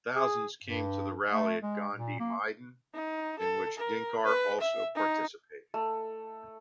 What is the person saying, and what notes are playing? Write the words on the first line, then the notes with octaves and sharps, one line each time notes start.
Thousands came to the rally at Gandhi Maidan in which Dinkar also participated.
G#4
G2
A3
G#3
A#2
A#3
D#4
A4
A#4
B4
E5
D#4
A3